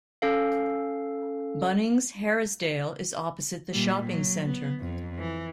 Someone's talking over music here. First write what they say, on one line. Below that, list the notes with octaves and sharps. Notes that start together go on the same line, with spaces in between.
Bunnings Harrisdale is opposite the shopping centre.
C#4 A4 F5
A#2 G3
F#3
B3
F2
E3